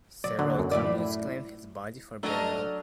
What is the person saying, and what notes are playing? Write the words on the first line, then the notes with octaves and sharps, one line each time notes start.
Several communes claimed his body for burial.
F#3 D5
D#2 D3 F#3
F#2
A2 E4 D5
F#3 A3 D4 A4 D#5 A#5 F6